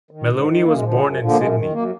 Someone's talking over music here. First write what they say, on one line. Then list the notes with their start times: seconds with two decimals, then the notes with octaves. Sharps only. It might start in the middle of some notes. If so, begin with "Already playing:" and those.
Melouney was born in Sydney.
0.11 D#3
0.29 G#2
0.47 D#3
0.65 F#2 A#3
0.75 G#3
0.83 D3 F3
0.94 G#3
1.01 F#2
1.19 D3 F3
1.29 A#3
1.37 F#2 G#3
1.55 D#3
1.73 F#2 A#3